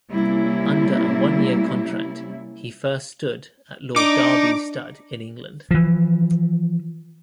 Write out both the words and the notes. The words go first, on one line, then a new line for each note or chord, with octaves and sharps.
Under a one-year contract, he first stood at Lord Derby's stud in England.
C3 G3 A#3 C#4 E4
D4 D#4 D6
E3 F3